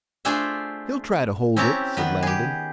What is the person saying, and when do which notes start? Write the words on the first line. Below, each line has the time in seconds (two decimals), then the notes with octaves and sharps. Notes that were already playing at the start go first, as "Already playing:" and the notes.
"He'll try to hold it," said Langdon.
0.25 A3 D4 F4 G#4 C5 E5
1.56 C4 C#4 E4 G4 A5 A#5
1.97 D#3 B3 B4
2.23 G4 G#4